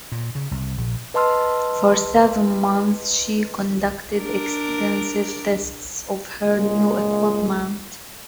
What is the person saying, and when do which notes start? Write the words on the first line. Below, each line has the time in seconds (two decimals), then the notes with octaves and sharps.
For seven months she conducted extensive tests of her new equipment.
0.12 A#2
0.35 C#3
0.51 C2
0.77 A#1
1.14 B4 D#5 A5 C6 E6 F6
4.15 D4 A#4
6.44 C#2 A#2 G#3